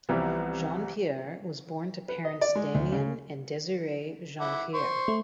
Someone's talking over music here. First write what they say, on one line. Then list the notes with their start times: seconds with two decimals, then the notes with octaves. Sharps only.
Jeanpiere was born to parents Damion and Desiree Jeanpiere.
0.09 C2 E3 F3 G3 B3
2.09 B4
2.25 D#5
2.41 D5
2.55 G#3
2.75 D2
2.92 C#3
4.40 E4 F#5 D6
4.74 C5 C6 C#6
5.08 A3